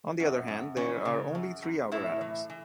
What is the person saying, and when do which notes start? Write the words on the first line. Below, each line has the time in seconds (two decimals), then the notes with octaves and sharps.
On the other hand, there are only three outer atoms.
0.20 F#2
0.48 F#2
0.77 E3 C#4
1.05 C#3
1.35 F#2
1.62 F#2
1.92 A2 E4
2.21 E3
2.50 E3